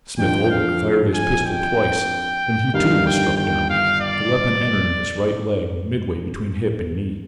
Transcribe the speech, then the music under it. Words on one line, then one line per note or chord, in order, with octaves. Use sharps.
Smith-Oldwick fired his pistol twice when he too was struck down, the weapon entering his right leg midway between hip and knee.
F2 D3 F3 G5
F5
G#5
G5
G1 G2 D#3 G3 F5
G5
G5
F5
D5